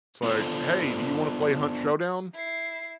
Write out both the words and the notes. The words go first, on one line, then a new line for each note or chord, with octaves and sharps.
It's like, "Hey, do you wanna play Hunt Showdown?"
B3 D4 F4 A4 C5
E4 C7